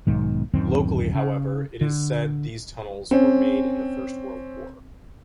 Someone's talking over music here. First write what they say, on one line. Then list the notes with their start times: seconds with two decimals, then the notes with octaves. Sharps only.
Locally however it is said these tunnels were made in the first world war.
0.07 B1 G#2 D#3
0.53 D1 F#2 D#3 C4
1.15 C#3
1.81 D3
3.11 C4 C#4